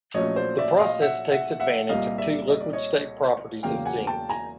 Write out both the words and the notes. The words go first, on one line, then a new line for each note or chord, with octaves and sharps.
The process takes advantage of two liquid-state properties of zinc.
A#1 A#2 F#3 A3 C#4 C#5 D#5
C5 D5
D5 E5
D#5 F5
E5 F#5
E5 F#5
E5 F#5
C2 A#2 G3 A#3 D#5 F5
D5 E5
D#5
D5
C#5 D#5
E1 E2 C#3 F#3 A#3 F5 G5
F#5 G#5
G5 A5
G#5 A#5